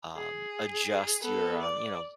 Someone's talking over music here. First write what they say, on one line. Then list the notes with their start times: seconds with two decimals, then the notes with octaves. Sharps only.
um, adjust your, um, you know,
0.16 G#4
1.21 B3 A4
1.62 D5